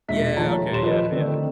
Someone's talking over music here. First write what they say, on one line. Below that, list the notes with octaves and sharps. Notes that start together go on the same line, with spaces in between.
Yeah, okay. Yeah, yeah.
E1 A#2 G#3 E5 B6
D#3 F3 A3 C#5 A5 A#5
D#1 G4 C#5 C6 E7
F3 B4 D#5
D3 D#3 A3 C4 D4 D#4